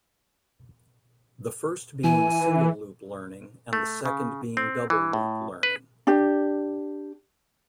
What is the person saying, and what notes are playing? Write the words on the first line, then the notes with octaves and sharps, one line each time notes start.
The first being single-loop learning and the second being double-loop learning.
E3 G#5
A3
C#3
C4
E3
A2
B4
D4 G4